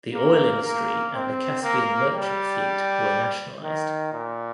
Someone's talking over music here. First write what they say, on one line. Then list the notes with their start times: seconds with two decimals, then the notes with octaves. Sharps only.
The oil industry and the Caspian Merchant Fleet were nationalized.
0.14 A#3
0.63 A#3
1.14 C4
1.63 A#3
2.13 G3
3.63 D#3
4.12 A#2